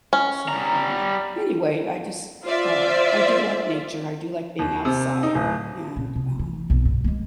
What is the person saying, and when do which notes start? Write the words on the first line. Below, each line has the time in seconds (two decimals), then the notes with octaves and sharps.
So, um, anyway, I just, uh I do like nature, I do like being outside and, um,
0.13 C#4
0.49 G3 A#5
2.44 F4 C5 D5 E5
4.59 D#2
4.85 C3
5.23 D#4
5.35 D1
5.96 A#2
6.15 C3
6.39 E3
6.70 B1 C4
6.85 G2
7.04 G#3 A#3